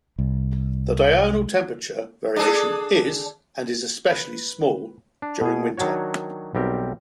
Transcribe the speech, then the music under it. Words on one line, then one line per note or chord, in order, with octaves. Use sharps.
The diurnal temperature variation is and is especially small during winter.
C2
D4 G#4 A4
B4
D4
B2 G#4
D#3 F#3 D4 F#4 C#5
B1 G3 C4 G4 A#4